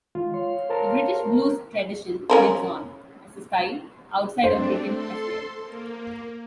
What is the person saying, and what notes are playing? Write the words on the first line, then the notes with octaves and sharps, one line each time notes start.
The British blues tradition lives on, as a style, outside of Britain as well.
D#3 G#3 F4
C#5 F5 C6
A#4 C5 A5 A#5
C#4 A#4 C5
A3 C4 D4 C5
A4 C6
A#3